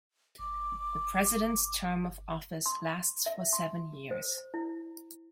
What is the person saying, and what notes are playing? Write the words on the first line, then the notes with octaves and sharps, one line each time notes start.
The president's term of office lasts for seven years.
G1 D6
C6
E5
C6
C5
E4